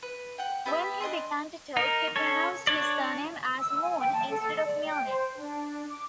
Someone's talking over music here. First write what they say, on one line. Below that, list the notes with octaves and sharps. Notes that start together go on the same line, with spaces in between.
When he began to talk, he pronounced his surname as Moon instead of Milne.
B4
F#5 G5
B3 G4 E5
D4 D#5 G#5 C6
D#4 A#4
C#4 A4 C#5
D4 C#5 D5
E6
G#5
G5
A5
A4
D5
G5
C5
D4
D6